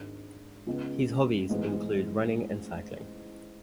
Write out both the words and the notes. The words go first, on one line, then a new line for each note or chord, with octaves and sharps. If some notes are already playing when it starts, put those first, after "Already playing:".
His hobbies include running and cycling.
Already playing: G#1 G#2 G#3 D4
C#2 C#3 G#3 B3
A1 G#2 E3 G#3 B3